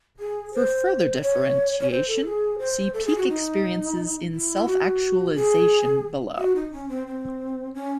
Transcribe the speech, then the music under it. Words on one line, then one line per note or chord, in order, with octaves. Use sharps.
For further differentiation, see "Peak Experiences in Self-Actualization" below.
G#4
C5
C#5
C#5
C5
A4
G#4
C5
A4
G#4
F#4
D#4
E4
F#4
G#4
F#4
D#4
C#4
C4
C4
C#4